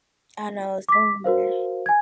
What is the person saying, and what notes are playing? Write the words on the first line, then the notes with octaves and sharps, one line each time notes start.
I know it's some in there.
D6 B6
F#4 A#4 C5 F5
G#5 G#6